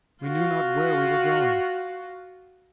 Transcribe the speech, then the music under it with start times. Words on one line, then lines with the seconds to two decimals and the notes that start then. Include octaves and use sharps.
We knew not where we were going.
0.24 F4 F#4